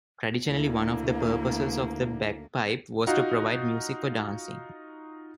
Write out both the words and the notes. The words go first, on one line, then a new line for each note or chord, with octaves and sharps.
Traditionally, one of the purposes of the bagpipe was to provide music for dancing.
D2 A#3 E4
D#4 F4 F#4